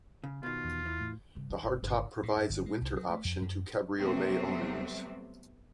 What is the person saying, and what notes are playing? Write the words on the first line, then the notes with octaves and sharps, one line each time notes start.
The hardtop provides a winter option to cabriolet owners.
C#3
B2 D#3 F4
E2
E3
A2
G2 C#3
D#3
G1
G1 C#2
A2
G2
G1
G#3
C2
F#3
A3
F2
F#2
C3 F#3 G3 A3 B3 C4